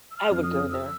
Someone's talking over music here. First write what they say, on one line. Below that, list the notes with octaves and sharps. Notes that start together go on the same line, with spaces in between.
I would go there.
E6
F6
F2
D#6
E6